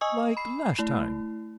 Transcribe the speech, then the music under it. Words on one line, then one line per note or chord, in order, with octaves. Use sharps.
"Like last time?"
D#5 G#5 C#6 D#6 E6
B5 C7
A3 E4